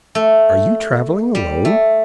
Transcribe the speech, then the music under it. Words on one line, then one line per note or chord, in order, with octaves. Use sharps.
"Are you traveling alone?"
A3
G3
A3